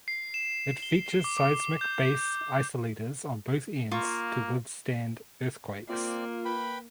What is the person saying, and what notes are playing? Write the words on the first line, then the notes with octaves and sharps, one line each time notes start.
It features seismic base isolators on both ends to withstand earthquakes.
C7
E7
G7
D6
D6
G6
A#3 F4 C#6
A#3 C4 F4 D5
B4 G5 B5